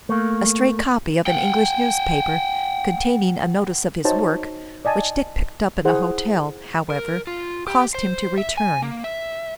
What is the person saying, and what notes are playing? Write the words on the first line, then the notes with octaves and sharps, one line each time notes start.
A stray copy of an English newspaper containing a notice of his work, which Dick picked up in a hotel, however, caused him to return.
A3 A#3
F#5 G5
D#4 F#4 C5 C#5 A5
D5 D#5 G#5 A5
E4 G#4 C5 F#5
A#4
F4
G4
C5
E5
G#5
A#3
E5